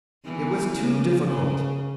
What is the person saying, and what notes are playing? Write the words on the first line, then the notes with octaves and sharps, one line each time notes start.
It was too difficult!
E2 E3
C#3
C#3